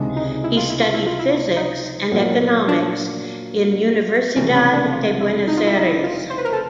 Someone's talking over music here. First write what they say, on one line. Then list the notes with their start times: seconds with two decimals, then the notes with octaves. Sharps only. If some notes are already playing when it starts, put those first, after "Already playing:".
He studied physics and economics in Universidad de Buenos Aires.
Already playing: C#2 C3 D#3 G#3 D4
0.16 D#4
0.44 E4
0.56 F4
0.69 E4
0.81 F4
0.94 E4
1.06 F4
1.19 E4
1.56 D#4
2.12 A#2 F#3 A#3 C#4 F#4
2.68 D4
4.36 F1 F2 C#3 E3 G3 C#4
4.55 C#4
4.73 D4
4.92 F4
5.20 E4
5.48 D#4
5.57 F4
5.66 E4
5.76 D#4
5.86 E4
6.04 F4
6.30 C5
6.38 B4
6.45 A#4
6.52 A4